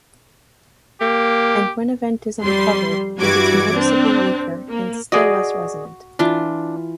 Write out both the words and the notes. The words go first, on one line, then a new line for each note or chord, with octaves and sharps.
And when a vent is uncovered it is noticeably weaker still and less resonant.
A#3 G4
F2 G3 C6
G2 E3 G3 F#4 D6 G#6
C4 D4
A#3
F#4 G#4 D5 D#5
E3 D4 F4